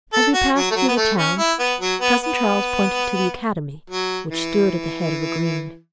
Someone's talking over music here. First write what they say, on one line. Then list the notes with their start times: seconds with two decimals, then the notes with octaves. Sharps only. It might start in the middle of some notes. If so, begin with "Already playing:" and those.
As we passed through the town, Cousin Charles pointed to the Academy, which stood at the head of a green.
0.13 A4
0.34 F#4
0.55 F#3
0.71 A3
0.76 F#3
0.88 B3
0.97 A3
1.18 C#4
1.38 E4
1.60 B3
1.81 F#3
2.01 B3
2.22 B3
3.90 F#3
4.31 E3